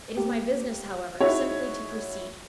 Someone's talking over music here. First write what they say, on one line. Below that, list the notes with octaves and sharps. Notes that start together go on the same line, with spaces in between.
It is my business, however, simply to proceed.
A#3 G4
D#4 E4 F#4 G#4 C#5